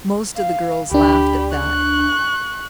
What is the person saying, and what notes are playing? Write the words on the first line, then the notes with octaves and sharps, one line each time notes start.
Most of the girls laughed at that.
F5
D2 D4 G4 B5
C#6 F#6